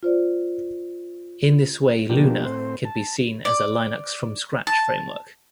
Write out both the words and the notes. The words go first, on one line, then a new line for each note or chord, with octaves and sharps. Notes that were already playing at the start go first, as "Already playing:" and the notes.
In this way Lunar can be seen as a Linux From Scratch framework.
F4 C5 D5
B2 F3 A#3 D4 G4
A2 C4 C5
A5
D5
A5